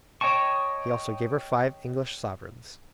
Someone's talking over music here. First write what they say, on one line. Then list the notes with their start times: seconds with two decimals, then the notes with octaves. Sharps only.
He also gave her five English sovereigns.
0.21 C#5 D#5 G5 A5 C#6